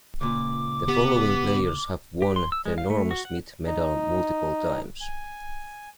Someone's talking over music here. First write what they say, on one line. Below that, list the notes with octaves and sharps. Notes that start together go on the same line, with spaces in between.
The following players have won the Norm Smith Medal multiple times.
C#2 A#2 D6
B3 G4
G4
C6
E6
G#3
F5
A3
F#4
F#5
D#4
G#5